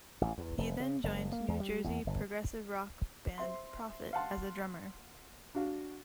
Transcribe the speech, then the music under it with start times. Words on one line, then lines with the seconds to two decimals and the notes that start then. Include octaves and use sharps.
He then joined New Jersey progressive rock band Prophet as a drummer.
0.21 A1
0.38 E2
0.58 F1
0.80 C#3
1.04 F#1
1.32 A#3
1.48 E2
1.60 G3
1.84 E2
2.07 G1
3.38 C5 E5 C6
4.13 F5 F#5 A5 C6
5.55 D4 F#4 F5